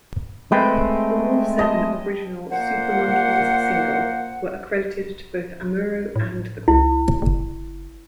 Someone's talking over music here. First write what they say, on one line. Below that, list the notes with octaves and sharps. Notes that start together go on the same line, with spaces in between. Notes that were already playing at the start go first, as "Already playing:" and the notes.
All seven original Super Monkey's single were accredited to both Amuro and the group.
G#3 A3 C4 B4 D#5 G5
D#5 A5
A#2 A#3 C5 F#5
A2
C#2 E4
F#1